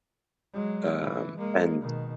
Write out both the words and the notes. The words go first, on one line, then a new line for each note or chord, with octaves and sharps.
Um, and
F#3 G#3
E3
G#3 A#3
B2 D#3